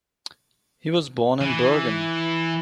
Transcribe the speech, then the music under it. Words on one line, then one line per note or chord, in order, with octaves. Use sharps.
He was born in Bergen.
E3